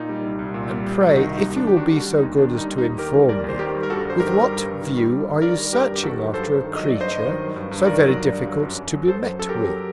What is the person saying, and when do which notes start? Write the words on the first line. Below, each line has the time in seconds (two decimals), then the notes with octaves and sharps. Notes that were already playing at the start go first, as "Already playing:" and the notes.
And pray, if you will be so good as to inform me, with what View, are you searching after a Creature so very difficult to be met with?
Already playing: A#2 D#4
0.09 G3
0.24 C2
0.39 C2
0.54 A#2
0.70 G3
0.86 C2
1.01 C2
1.11 F#4
1.15 D#3 D#4
1.31 G3 D#4
1.46 D#2
1.56 D4
1.61 D#2
1.67 G4
1.76 D#3 D4 F#4
1.92 G3 D4 F#4
2.06 D#2
2.18 D#4
2.23 D#2
2.38 D#3 D4
2.53 G3 D#4
2.67 D#2
2.78 D#4
2.83 D#2
2.98 D#3 G4 A#4
3.14 G3
3.29 D#2 A#4 D5
3.44 D#2 C5
3.59 D#3 G4 A#4
3.75 G3
3.83 A#4
3.90 G2 F#4 A4
4.05 G2 C5
4.20 D#3 G4 A#4
4.35 G3
4.51 G2
4.66 G2
4.82 D#3
4.97 G3
5.12 G2
5.27 G2
5.42 D#3 A#4 D5
5.57 G3
5.73 G2 G4 A#4
5.88 G2
5.96 G4
6.03 D#3 F#4 A4
6.18 F#3
6.33 G2 A4 C5
6.49 G2
6.64 D#3
6.76 F#3 D#5
6.89 D5
6.95 G2
7.01 C5 D#5
7.11 G2
7.25 D#3
7.41 F#3
7.56 G2
7.71 G2
7.86 D#3 A#4 D5
8.02 F#3
8.17 G2
8.32 G2
8.47 F#3
8.62 F#2
8.78 F#2
8.93 F#3
9.08 F#3 A4 C5
9.23 F#2
9.39 F#2 A4
9.49 G4 A#4
9.54 F#3
9.69 F#3